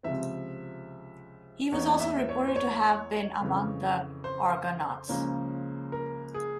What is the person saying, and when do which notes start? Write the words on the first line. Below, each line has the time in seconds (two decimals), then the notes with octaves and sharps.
He was also reported to have been among the Argonauts.
0.03 C#2 C3 F3 C4 E5
1.72 E2 E3 A#3 C#4 C#5
2.00 E5
2.29 C#5
2.47 C5
2.56 C#5
3.40 F2 C#3 E3
4.24 C5
5.08 C#2 C#3 F3 A#3 C#4
5.92 A#4
6.34 G#4